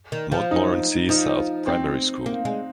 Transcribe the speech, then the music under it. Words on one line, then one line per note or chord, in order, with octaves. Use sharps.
Montmorency South Primary School.
D#3
F3
D#4
F3 D#4
C4
A#3
G#3